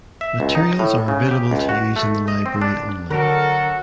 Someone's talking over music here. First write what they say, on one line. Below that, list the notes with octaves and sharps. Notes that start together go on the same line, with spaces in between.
Materials are available to use in the library only.
E5
C#2
D#4
A2
C#3
G4
C#2
F#4
A3
D#5
C4
D4
D3 F#3 F#4 A4 A#4